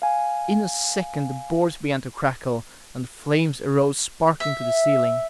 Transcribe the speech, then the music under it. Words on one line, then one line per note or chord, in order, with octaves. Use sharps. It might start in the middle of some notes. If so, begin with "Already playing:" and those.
In a second the boards began to crackle, and the flames arose sparkling to the ceiling.
F5 G#5
E5